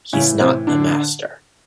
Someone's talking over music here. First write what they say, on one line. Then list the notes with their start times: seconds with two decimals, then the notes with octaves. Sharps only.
He’s not the master.
0.13 A2 C#3 E3 C#4
0.40 C3 C4
0.67 D3 D4